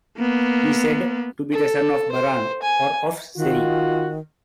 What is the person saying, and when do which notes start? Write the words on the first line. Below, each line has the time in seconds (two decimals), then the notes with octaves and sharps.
He is said to be the son of Baran, or of Ceri.
0.18 A#3 B3
1.52 A4
2.12 C5
2.63 G#5
3.37 D#3 F4 F#4